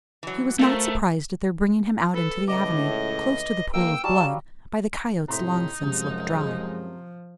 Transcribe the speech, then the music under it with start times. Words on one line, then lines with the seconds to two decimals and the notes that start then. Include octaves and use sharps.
He was not surprised at their bringing him out into the avenue--close to the pool of blood--by the coyotes long since licked dry.
0.23 E3 F#3
0.59 A3 F4 A#4 C5
2.14 A4 B4
2.48 C#2 A2 D#5 D6
3.73 F#1 A#3 F5 G5 E6
4.04 F#3 G3 F5 A5
5.28 A2 C3 D#4 A#5 C6 B6
5.82 F#2 C3 F3 G#3